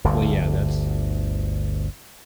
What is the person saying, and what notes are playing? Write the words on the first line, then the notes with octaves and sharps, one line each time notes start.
Well, yeah, that's
G1 D2 D3